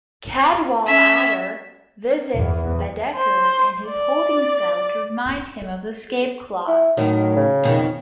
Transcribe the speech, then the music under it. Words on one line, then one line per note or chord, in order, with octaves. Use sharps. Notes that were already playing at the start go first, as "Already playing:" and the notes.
Cadwallader visits Bedeker in his holding cell to remind him of the escape clause.
C#4 E5
E2
C5
D5
E4
A2 D#3 F#3
C#3
F2 B2 D#3